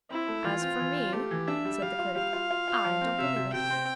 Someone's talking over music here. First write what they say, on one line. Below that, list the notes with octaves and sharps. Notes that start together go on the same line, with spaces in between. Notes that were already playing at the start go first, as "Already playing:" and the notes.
"As for me," said the Critic, "I don't believe it."
C4 E4
A3
E3 F4
C4
E3
C4
A3 G4
E3
D4 E5
G3
G3 F5
F4
G3 F5
F4
F4
F4
F3
C4
C3 E5
C3
C3 G5
C4